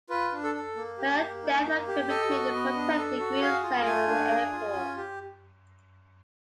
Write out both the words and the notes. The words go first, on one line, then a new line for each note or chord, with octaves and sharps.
Her death occurred between the protected Green Zone and the airport.
F4 B4
D4
A4
A4
A#3
G4
A#3
D#4
A#3
G4
A4 D#5
F#4
B3
D4
A4
F#4
G#4 F5
F4
A3 G#5
D4
G#4
F4
C#4
G4